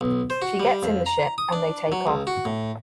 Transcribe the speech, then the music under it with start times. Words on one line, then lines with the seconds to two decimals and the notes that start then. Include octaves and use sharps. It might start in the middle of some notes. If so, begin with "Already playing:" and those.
She gets in the ship, and they take off.
0.01 B1
0.30 C5
0.42 F#4
0.60 G3
0.83 F2
1.06 A#5
1.38 D#6
1.53 D4
1.92 F#3
2.07 C#2
2.27 F#4
2.45 A2